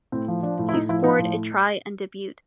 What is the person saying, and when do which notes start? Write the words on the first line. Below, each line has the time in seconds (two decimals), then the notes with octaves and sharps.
He scored a try on debut.
0.12 A2 C4
0.28 F3
0.43 F3 D4
0.59 A2
0.69 E4
0.74 A2 D#4
0.89 F3 E4
1.04 F3 D#4
1.19 A2